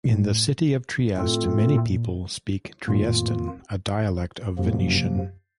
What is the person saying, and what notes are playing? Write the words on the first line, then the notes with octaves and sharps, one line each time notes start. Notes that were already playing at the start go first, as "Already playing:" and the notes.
In the city of Trieste, many people speak Triestine, a dialect of Venetian.
A2
F#2 A2 A3 C4 F4 A4
F#2
A#2
F2 A2 D#3 A#3 F4
F#2 C3 F3 A#3
A2
F#2
F#2
F#2